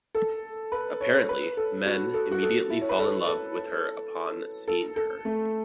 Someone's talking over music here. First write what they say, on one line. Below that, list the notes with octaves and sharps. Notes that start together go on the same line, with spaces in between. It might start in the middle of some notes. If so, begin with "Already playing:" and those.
Apparently, men immediately fall in love with her upon seeing her.
A4
B4
C#5
B4
A4
F#4
A4
F#4
A4
E4
C#5
B4
A4
A4
A4
A4
A3